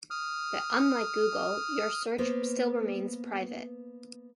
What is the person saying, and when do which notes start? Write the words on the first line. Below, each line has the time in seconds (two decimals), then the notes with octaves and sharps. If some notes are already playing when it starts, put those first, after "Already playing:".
But unlike Google, your search still remains private.
0.10 D#6 F6
2.18 A#3 B3 B4 C5